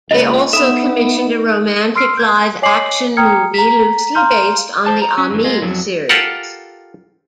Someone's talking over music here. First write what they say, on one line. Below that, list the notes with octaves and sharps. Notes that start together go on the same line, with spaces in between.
They also commissioned a romantic live action movie loosely based on the "Ami" series.
C#2 A#3 F4 A#4 B4 C#5 D#5
B3 D#4 A4 E5 B5
C6 E6 F6 C7 D7
G6 G#6
C#5 D#5 G#5 D6 C7 F#7
G5 A#5 D#6 F6 G#6 C#7
A#5 B6
F5 A#5 C6 F6 G6
C5 A5
A#5
C#4
G2 E3
G#3 F4
F2 F#3
F4 G4 A4 A#4 F#5